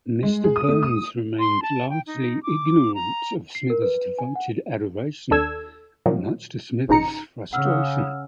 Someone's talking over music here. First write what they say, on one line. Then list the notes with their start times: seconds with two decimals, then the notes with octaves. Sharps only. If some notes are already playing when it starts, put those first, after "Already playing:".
Mr. Burns remained largely ignorant of Smithers' devoted adoration, much to Smithers' frustration.
0.23 G#3
0.44 G#4
0.56 D#6
0.68 A3
0.83 D#6
1.39 C6
1.62 A5
1.90 G5
2.07 D#4
2.43 D6
2.94 A#5
3.55 C7
3.70 A#4
3.82 B4
4.19 G#5
4.36 F#5
5.31 D#2 D4 A4 E6 G#6
6.06 A#2 D#3 F3 F#3
6.88 G#1 C#3 D#4 A#5 C#7
7.53 C#3 F#5 E6 F6